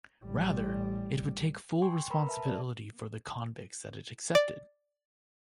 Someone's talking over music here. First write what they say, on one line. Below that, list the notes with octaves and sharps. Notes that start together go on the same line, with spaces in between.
Rather, it would take full responsibility for the convicts that it accepted.
A1 G3
G5 G#5 C6 C#6
A#4 B4 A#5 B5
B4 E5 A5
B4 D5
D5